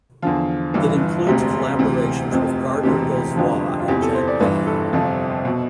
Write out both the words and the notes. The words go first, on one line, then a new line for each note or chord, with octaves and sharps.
It includes collaborations with Gardner Dozois and Jack Dann.
E2 D3 F3 F4
G1 G2 E3
E1 D2 C3 G4
D2 C3 E3
F1 F2 C3
E1 D2 C3 E3 G4
G1 F2 D3 F3
F4
E2 C3 E3 G4
A4
C5
D5
G1 G2 E3 B4
A4
G1 F2 C3 F3
B2